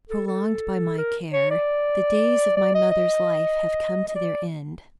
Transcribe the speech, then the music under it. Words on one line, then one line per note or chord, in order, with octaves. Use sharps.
Prolonged by my care, the days of my mother's life have come to their end.
A4
A4
A#4
C#5
D5
D5
D#5
D#5
D#5
D5